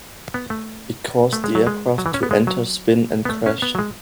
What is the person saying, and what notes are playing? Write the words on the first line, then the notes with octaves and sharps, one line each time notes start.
It caused the aircraft to entre spin and crash.
B3
A3
A3
G#3
F#3
G#3
F#3
E3
C#4
B3
G#3
F#3
B3
A3
C#4
B3
F#3
G#3